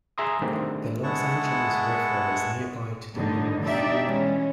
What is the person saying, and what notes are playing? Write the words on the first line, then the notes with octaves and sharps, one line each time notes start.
The Los Angeles River is nearby to the north.
G#4 E5 A#5 C6 D#6
D#3 G3 A3 C4 D4
G#3 B3 E4 F#5 A5 C#6
A2 D3 D#3 G3 D#4
B2 D4 D#4 G4 D5 E5
E3 G#3 C#4